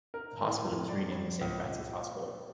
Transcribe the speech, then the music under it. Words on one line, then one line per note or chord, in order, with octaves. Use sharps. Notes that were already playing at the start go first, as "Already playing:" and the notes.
The hospital was renamed the Saint Francis Hospital.
A#4
A2
D5
C#2
A#2